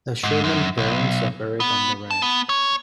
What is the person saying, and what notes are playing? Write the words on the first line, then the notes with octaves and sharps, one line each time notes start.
The Sherman parents are buried on the ranch.
G#2
F#2
B1
B3
A5
B3
C#5